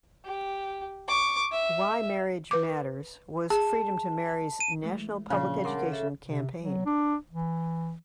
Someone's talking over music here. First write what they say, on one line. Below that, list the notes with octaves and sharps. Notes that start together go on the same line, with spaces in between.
"Why Marriage Matters" was Freedom to Marry's national public education campaign.
G4
C#6 D6
E5
B4 D6
G#4 A5
D#7
E3 G#3 A3
A#2 C#3 F3 D4
A#4 F#5 A5 C6 D6
A4 E5
C3
F#3
D4
E3